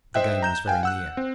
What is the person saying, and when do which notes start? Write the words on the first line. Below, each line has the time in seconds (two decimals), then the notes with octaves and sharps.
The game was very near.
0.14 C5 D#5 E5 G5 F#6
0.42 A#5 G6 E7
0.66 F5 G5 G#5 F#6
0.83 F#5 E6 F#6
1.17 C4